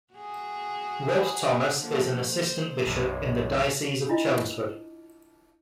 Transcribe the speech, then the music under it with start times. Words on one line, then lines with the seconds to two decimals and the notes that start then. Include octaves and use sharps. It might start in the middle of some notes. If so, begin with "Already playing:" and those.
Rod Thomas is an assistant bishop in the Diocese of Chelmsford.
0.13 F#4 G#4
1.75 D3 F3 A#3
2.30 C5
2.86 B1 F#2
4.09 D4 E4 F4 D#5